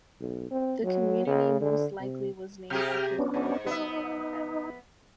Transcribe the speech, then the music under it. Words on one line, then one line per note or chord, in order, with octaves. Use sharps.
The community most likely was named after the local Milam family.
B1
C4
F#3
C#3
D3
C3
C3 G4 G#4 G5 F6
B3 C#4 D4
G#2
B3 D#4 E5